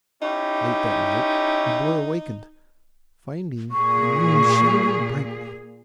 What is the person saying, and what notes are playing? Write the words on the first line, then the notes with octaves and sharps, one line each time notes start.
Late that night, the boy awakened, finding the moon shining brightly.
C#4 D#4 E4 G4
A#2 G#4 C#6